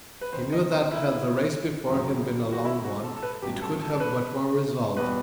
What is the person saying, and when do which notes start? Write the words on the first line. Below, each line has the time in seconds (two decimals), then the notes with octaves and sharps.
He knew that, had the race before him been a long one, it could have but one result.
0.21 B4
0.33 F#1 E2 D#3 C5
0.52 D#5
0.71 C5
0.91 E4
1.87 F#1 F#2 D#3 F#3
2.52 F#4
2.65 E4
2.84 F#4
3.03 A4
3.16 A4
3.23 B4
3.42 A1 G2 F#3 G4
3.62 A4
3.81 A4
3.93 A4
4.00 B4
4.97 E2 B2 G3 B4